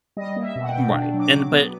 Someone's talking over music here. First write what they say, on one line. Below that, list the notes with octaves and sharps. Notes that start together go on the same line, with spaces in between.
M right. And but,
G3 D#5
A#3
E5
B2
F#5
G5
B2
D4
F#3
D6
F#3
B3